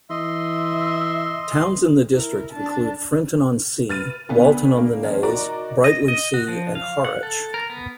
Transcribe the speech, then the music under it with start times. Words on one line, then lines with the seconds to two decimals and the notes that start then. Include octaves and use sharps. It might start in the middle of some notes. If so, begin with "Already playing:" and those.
Towns in the district include Frinton-on-Sea, Walton-on-the-Naze, Brightlingsea and Harwich.
0.10 E3 D#5 E5 C6
2.12 E4 A#4
2.53 D4 A5
3.89 B4 F6 A6 D#7
4.29 D2 B3 D4
4.78 A#3
5.03 D#3 F3 C#4
5.23 D#4 F#4 A#4 D5 A#5
5.84 D#5
6.08 D#5
6.34 F#4
6.48 F3
6.75 F5
7.05 F#5
7.23 A4
7.54 A#4
7.70 B3